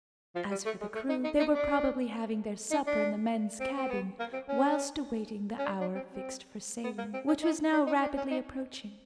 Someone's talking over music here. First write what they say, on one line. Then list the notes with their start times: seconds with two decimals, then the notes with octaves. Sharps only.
As for the crew, they were probably having their supper in the men's cabin, whilst awaiting the hour fixed for sailing, which was now rapidly approaching.
0.36 F3
0.51 G3
0.66 A3
0.81 G#3
0.95 A3
1.09 D#4
1.24 D#4
1.39 D#4
1.54 D4
2.71 D#4
2.86 D4
3.60 C4
3.77 C4
3.90 B3
4.20 A#3
4.33 C4
4.48 C#4
5.59 C#4
5.66 D4
5.81 D4
5.95 C4
6.11 C4
6.84 B3
6.98 A#3
7.13 C4
7.28 C#4
7.43 D#4
7.73 D4
7.87 D#4
8.02 D4
8.17 C#4
8.31 D#4